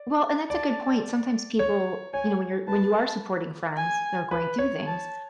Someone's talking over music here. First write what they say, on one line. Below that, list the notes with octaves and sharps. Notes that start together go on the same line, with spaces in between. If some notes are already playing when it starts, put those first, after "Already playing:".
Well, and that's a good point, sometimes people, you know, when you're when you are supporting friends, they're going through things.
Already playing: D5
D5 A5
C#5
C#5 G#5
B4 A5
G#5
B4
C#5
A5